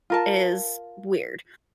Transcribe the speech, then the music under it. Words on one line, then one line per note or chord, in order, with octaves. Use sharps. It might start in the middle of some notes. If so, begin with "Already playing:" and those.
is weird,
F4 A#4 A5